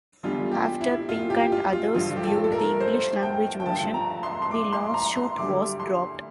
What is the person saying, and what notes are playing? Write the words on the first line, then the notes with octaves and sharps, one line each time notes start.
After Pink and others viewed the English-language version, the lawsuit was dropped.
E2 D3 G3 F4
G4
E4
F4
G4
F4
F4
G2 D3 F3 F4
G4
A4
A4
A#4
C5
G5
G5
G2 D3 F3 A5
A#5
C6
C6
D6
C6
A#5
C6
D2 D3 G3 D6
C6